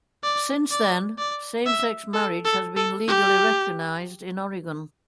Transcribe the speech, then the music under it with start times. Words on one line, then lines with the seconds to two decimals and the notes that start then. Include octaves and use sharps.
Since then, same-sex marriage has been legally recognized in Oregon.
0.24 D5
0.71 D5
1.19 D5
1.66 E5
2.13 A4
2.45 A4
2.76 A4
3.07 G4